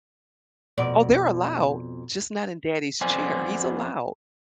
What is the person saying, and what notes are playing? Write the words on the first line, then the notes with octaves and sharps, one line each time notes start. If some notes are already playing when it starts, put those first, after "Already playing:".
Oh, they're allowed, just not in daddy's chair, he's allowed.
F2 B2 D5
F2 B3 C5 D5 G#5